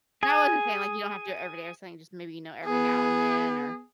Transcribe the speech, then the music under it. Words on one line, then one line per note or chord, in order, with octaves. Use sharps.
No, I wasn't saying, like you don't have to do it every day or something, just maybe, you know, every now and then, or
G#4 G#5
B3 G#4